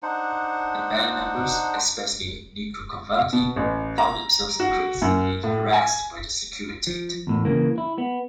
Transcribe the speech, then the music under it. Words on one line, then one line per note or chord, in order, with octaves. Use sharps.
The band members, especially Nicu Covaci, found themselves increasingly harassed by the Securitate.
D4 D#4 C5 F#5
B2
A1
A#5
F#4
F#2
A2
G#5
F3
E2 A2
C#3 E3 A#3
E4
B3